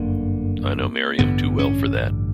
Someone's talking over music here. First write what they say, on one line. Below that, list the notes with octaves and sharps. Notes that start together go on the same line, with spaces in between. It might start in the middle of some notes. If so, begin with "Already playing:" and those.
I know Maryam too well for that.
Already playing: G1 F#2 D3 A#3
A1 G2 D3 B3
C#4